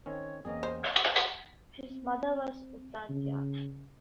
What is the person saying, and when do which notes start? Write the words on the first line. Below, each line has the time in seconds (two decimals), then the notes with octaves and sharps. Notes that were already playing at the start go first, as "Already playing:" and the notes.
His mother was Utathya.
0.06 D#3 C4 C#4 C#5
0.45 E2 A#3 C4 C#4 G#4 D#5
0.63 C5
1.90 C4
3.09 C#3